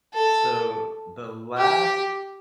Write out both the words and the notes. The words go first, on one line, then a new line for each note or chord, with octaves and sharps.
So, the last
A4
G4